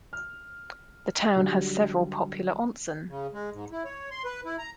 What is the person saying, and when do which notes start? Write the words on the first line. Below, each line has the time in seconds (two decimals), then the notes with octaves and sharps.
The town has several popular onsen.
0.13 F6
1.36 D3 F#3 G3
3.09 C#3
3.33 G#3
3.53 G#2
3.72 E4
3.85 C#5
4.11 C6
4.25 B4
4.45 E4
4.58 A#5